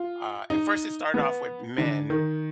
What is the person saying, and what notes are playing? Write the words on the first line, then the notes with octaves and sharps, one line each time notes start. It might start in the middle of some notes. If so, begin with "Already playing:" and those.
uh at first it started off with men
Already playing: F4
D#4
B3
D3
D#3